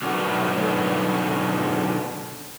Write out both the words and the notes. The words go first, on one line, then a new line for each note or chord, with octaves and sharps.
god knows how long it took on a boat.
B2 D3 D#3 F#3 B3